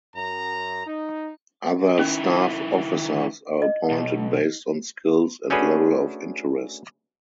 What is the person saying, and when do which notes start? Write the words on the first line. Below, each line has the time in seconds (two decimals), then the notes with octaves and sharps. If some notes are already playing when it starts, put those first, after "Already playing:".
Other staff officers are appointed based on skills and level of interest.
0.16 F#2 A#5
0.86 D#4
1.99 D#3 C#4 E4
3.62 D#5
3.91 B1
5.50 A3 C#4 D4 F#4 G#4 B4